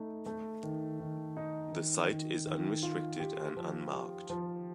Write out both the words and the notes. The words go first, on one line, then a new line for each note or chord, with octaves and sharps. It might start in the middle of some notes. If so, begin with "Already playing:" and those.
The site is unrestricted and unmarked.
Already playing: A3 D#4
A3
D#3
D#3
D#4
D#3
D#3
D#3
F4
G4
F3
G4
F3